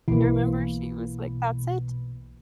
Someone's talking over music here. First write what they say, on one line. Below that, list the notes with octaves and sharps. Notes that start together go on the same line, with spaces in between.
I remember she was like, "That's it.
B1 B2 E3 A#3